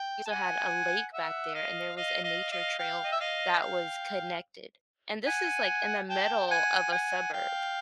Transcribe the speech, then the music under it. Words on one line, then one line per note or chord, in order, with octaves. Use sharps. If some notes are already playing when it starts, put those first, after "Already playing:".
also had a lake back there, and there was a nature trail that was connected. And this is, like, in the middle of a suburb.
Already playing: G5
A5
F#5 G#5
E5 F#5
D#5 F5
D#5 F5
D#5 F5
D#5 F5
F5 G5
D#5
E5
D#5 F5
F5 G5
F#5 G#5
G5 A5
G5
F#5 G#5
F#5 G#5
F5 G5